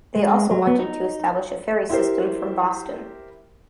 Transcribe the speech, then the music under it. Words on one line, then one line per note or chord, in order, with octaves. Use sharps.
They also wanted to establish a ferry system from Boston.
G#3
F#3
B3
D#4
E4 G4 A#4 C5